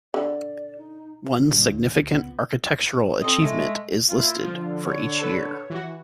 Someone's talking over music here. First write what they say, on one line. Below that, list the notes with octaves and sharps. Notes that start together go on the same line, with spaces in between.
One significant architectural achievement is listed for each year.
D3 D5
D#4
D3
G1 G2 A#2
D2
C#2
C#2 B3
C4 A4 D#5
G#3 A3
A#3 E4 F4
D3 F3
C#5
A4 B4
E3 F#4